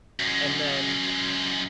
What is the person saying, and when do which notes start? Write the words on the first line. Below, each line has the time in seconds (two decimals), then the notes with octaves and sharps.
And then,
0.20 F#2 G#3